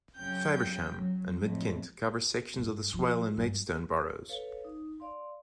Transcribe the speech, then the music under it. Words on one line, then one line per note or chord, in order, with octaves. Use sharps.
Faversham and Mid Kent covers sections of the Swale and Maidstone boroughs.
F#2 C#3 C#4 G5 G6
F#3
F2 A2
G2
F3
G2
A4 B4 C#5 F5
D#4
D5 F5 C6